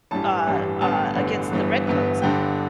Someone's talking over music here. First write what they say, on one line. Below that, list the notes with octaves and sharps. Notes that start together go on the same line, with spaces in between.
uh, uh, against the redcoats,
A1 G2 E3 G3 A5
A1 G2 E3 G3
A1 G2 D3 B3 A5
A1 G2 D3 B3
G1 G2 E3 B3
G1 G2 E3 B3
G1 G2 D3 G5